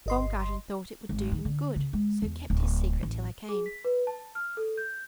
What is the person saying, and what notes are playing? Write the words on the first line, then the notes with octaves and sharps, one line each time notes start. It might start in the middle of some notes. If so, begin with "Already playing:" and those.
Baumgarten thought it would do him good, so kept his secret till I came.
G1 D#5 C6
G#1
D#3
D3
C#3
G#3
E2
D1
A1
G#4
B6
B4
A5
F6
A4
G6